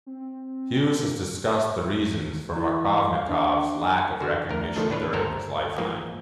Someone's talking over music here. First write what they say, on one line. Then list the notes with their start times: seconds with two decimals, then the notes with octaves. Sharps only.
Hughes has discussed the reasons for Markovnikov's lack of recognition during his lifetime.
0.06 C4
2.56 E3
3.14 F5
3.29 D4
4.20 D3 F#4
4.49 D2 A#4
4.76 A2 D3 D#3 F3 A3 D4
4.90 A2 D4 B4 C#5
5.13 G1 A4 A#4 C5 A#5
5.78 G#2 E3 F3 A#3